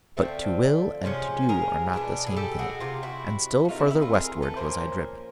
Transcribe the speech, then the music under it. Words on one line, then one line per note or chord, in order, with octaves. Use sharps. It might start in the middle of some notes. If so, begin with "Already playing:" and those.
But to will and to do are not the same thing, and still further Westward was I driven.
D3 F3 A3 C4
C3 F3 G#3 C#4
G#4 A#4
B2 G#3 B3 D4
G#4
G4 A4
F#4 G#4
C3 D#3 G#3 F4 G4
E4 F#4
F#4
C3 E3 A3 C4 D#4 F4
E4
E4
D#4 F4
G#4 A#4
A4 B4
A#2 F3 A#3 C#4 A#4 C5